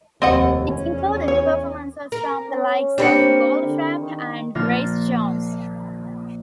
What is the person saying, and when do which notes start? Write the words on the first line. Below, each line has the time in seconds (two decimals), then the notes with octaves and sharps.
It included performances from the likes of Goldfrapp and Grace Jones.
0.22 F1 D#2 C4 D#5 F#5
0.68 E2 C#4
1.28 C#5
2.12 A#4
2.50 C#4
2.98 A#3 C4 D4 G4 B5 C#7
3.64 D3
4.00 D#3
4.55 A#1 A#3 F4 F6 A6